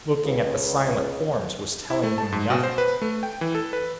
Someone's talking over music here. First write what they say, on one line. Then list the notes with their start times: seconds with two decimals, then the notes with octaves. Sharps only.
Looking at the silent forms was telling him nothing.
0.25 C#2
1.90 E4
2.03 A3
2.18 A5
2.32 G#2
2.50 B2
2.63 C5
2.78 B4
3.02 A3
3.23 G5
3.41 E3
3.55 A4
3.73 B4